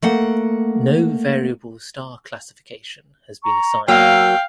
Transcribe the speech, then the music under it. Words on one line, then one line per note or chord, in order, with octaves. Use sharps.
No variable star classification has been assigned.
A3 A#3 F#5
A#5 C#6
F#3 A#3 F5 G5 E6